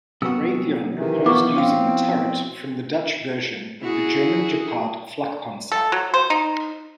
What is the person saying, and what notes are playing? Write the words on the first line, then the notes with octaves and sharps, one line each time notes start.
Raytheon proposed using the turret from the Dutch version of the German Gepard flakpanzer.
F#2 C3 B3 F#4 E6
C3 D#3 E3
B2 F3 B3 E4 C#6 D6
C4 C#4 F4 F5
E4 F#4 G#4
A4
F#3
C5
D#4